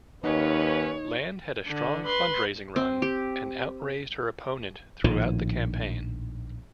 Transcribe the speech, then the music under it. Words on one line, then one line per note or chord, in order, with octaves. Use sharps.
Land had a strong fundraising run and outraised her opponent throughout the campaign.
D#2 C#4 D#4 B4 C#5 D#5 F#5
D3
B4 C6
C4
G4
A#1 A2 D#3 F3